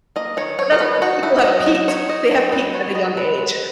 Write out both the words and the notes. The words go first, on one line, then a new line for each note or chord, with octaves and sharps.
But that's when people have peaked. They have peaked at a young age.
A#3 D#5
D#3 C#5
F#3 C#5
A#4
D#3 B4
D#4 F#4
D#4 E4
F#3 D#5
F#3 D#5
D#4 C#5
D#4 D#5
F#3 C#5
F#3 B4
B3 C#5
G#3 D#5
G#3 B4
G#3